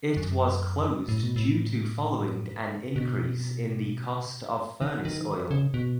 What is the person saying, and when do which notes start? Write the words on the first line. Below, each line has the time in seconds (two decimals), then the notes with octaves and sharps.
It was closed due to following an increase in the cost of furnace oil.
0.17 F#2
1.09 A2
1.23 B2
1.36 A2
2.96 B2
4.81 D#3
5.05 D#3
5.51 C#3
5.74 B2